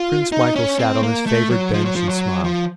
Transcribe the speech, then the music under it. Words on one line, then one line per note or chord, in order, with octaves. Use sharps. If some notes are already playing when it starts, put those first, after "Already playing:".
Prince Michael sat on his favourite bench and smiled.
Already playing: F4
D#4
C#4
C4
A#3
A3
F#3
F3
F#3
F3
F#3
F3